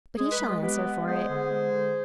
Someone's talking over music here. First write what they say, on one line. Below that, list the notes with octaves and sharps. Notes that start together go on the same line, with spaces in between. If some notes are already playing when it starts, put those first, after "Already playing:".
'But he shall answer for it.
G#3 G#4
B4
G#3
F4 G#4
B3 G4 B4
G#3
B3 G#4 C5
D3
G#3
D3